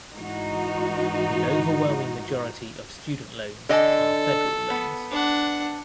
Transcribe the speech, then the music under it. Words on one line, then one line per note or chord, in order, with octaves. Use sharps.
The overwhelming majority of student loans are federal loans.
G#2 E3 D#4 F#4
D3 A4 D#5 G#5
B3
D4 F#5